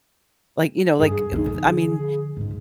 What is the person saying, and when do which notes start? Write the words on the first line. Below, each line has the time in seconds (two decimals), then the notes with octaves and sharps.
Like, you know, like, eh, I mean,
1.00 G2 G#4
1.32 G2 D#4
1.46 D3 F3
2.37 C#2 G#2